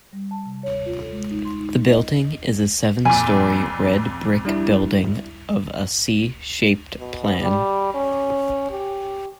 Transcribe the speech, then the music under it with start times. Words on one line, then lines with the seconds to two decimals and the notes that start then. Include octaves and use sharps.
The building is a seven-storey red brick building of a C-shaped plan.
0.13 G3
0.31 A5
0.46 C3
0.63 C#5
0.86 F4
1.01 A4
1.12 G#3
1.31 D#4
1.45 C6
1.60 D#4
1.88 D#5
3.05 F2 A#2 G#5
4.45 G3 D4 E4
7.00 B2
7.41 G3
7.94 C#4
8.70 G4